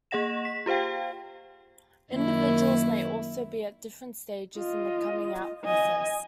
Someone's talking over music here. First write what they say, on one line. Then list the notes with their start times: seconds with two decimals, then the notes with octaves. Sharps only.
Individuals may also be at different stages in the coming out process.
0.11 A#3 G#4 D#5 F#5 A#6 E7
0.45 B6
0.66 F4 G4 C5 F5 G5
2.13 F#2 D#3 A#3 E4
4.58 F4 D#5
5.65 D#5 G#5